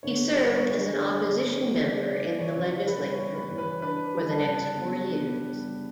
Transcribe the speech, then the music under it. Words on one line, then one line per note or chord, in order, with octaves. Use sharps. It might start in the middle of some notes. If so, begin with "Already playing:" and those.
He served as an opposition member in the legislature for the next four years.
D3 C#5
G3
C#5
D3
D4
D3
C#5
G3
C#4 D5
E3
C#5
C#3
G3 B4
C#5
C#4
B4
E3
B4
D4 B4
G3
A5
C#3
B3
D4
G3